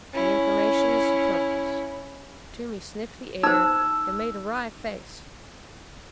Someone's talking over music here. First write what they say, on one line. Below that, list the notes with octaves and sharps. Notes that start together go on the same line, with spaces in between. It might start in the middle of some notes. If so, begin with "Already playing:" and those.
"The information is superfluous." Toomey sniffed the air and made a wry face.
C#4 E4
D#4 C5 E6